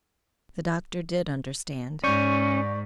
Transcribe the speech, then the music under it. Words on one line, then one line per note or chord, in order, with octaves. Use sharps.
The doctor did understand.
G#2 C#4 D5 C#6 G6